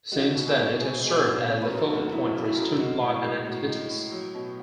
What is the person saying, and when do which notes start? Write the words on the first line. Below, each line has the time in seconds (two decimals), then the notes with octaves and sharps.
Since then, it has served as the focal point for student life and activities.
0.12 G#3 F#4
0.35 B2
0.46 G#4
0.56 G#3
0.79 B2 G#4
1.01 G#3 G#4
1.12 F#4
1.23 B2
1.45 C#3 G#4
1.62 B4
1.67 F#2
1.78 A4
1.90 A3 F#4
2.12 F#3 E4
2.35 C#3
2.45 E4
2.56 F#2
2.78 G#3 F#4
3.01 A2
3.23 G#3
3.45 A2 F#4
3.68 G#3
3.90 A2
4.12 F#3
4.34 B2